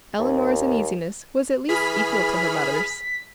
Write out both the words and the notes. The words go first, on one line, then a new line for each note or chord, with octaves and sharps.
Elinor's uneasiness was at least equal to her mother's.
D#2
E3 G#4 B5 F6 B6